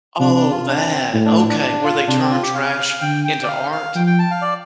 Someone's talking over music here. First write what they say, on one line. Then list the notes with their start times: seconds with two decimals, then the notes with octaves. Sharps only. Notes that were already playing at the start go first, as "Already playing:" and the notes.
Oh, that, okay, where they turn trash into art?
0.20 C3 D4
0.35 D4
0.51 F4
0.67 D4
0.90 C4
1.13 A2
1.25 D4
1.37 D4
1.49 D4
1.60 D4
1.84 F4
2.07 C3 D4
2.19 C4
2.31 F4
2.42 G4
2.55 F5
3.01 D3 G5
3.25 G5
3.43 D5
3.48 F5
3.72 F5
3.95 F3 G5
4.07 G5
4.19 A5
4.31 F5
4.42 D5